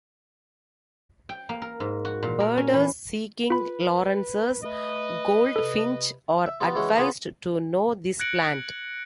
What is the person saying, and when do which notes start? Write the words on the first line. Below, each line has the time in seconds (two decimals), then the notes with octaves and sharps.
Birders seeking Lawrence's goldfinch are advised to know this plant.
1.29 G5
1.49 A#3
1.62 A#4
1.80 G#2
2.05 F#4
2.23 A#2
2.40 A#4
2.57 C#4
2.73 E3
3.50 F4 B4 B5
4.63 A3 B4 D#5
5.56 C3 A4
6.46 E5
6.60 G3 B3 F4
6.75 E3 G#3 C#4 F#4
6.97 B3 D4 F4 G#4 G#5
8.19 F#6 G#6 A#6 C#7 D7 F#7